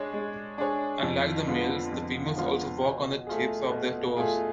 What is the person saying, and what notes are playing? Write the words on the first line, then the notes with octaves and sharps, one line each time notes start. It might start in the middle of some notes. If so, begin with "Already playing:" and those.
Unlike the males, the females also walk on the tips of their toes.
Already playing: G#3 D4 G#4 C#5
G#3
D4 G#4 C#5
F2
D3 G#3 B3 F4
F2
D3 G#3 B3 F4
B2
A3 F4 G#4
B2
A3 F4 G#4